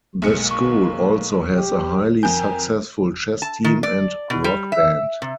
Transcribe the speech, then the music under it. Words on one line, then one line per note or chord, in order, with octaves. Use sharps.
The school also has a highly successful chess team and rock band.
B1 G#3 A#3 C#7
C#6
G4
F2 A#4 G#5 G6
A5
D#3
D5
B2
G3
E5
C3